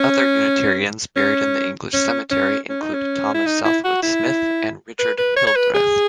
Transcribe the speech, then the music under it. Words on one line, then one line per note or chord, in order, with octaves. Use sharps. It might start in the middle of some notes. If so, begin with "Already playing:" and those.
Other Unitarians buried in the English Cemetery include Thomas Southwood Smith and Richard Hildreth.
Already playing: C#4
C#4
C#4
C#4
C#4
D#4
C#4
E4
D#4
E4
F#4
E4
B4
B4
C#5
C#5
B4
G#4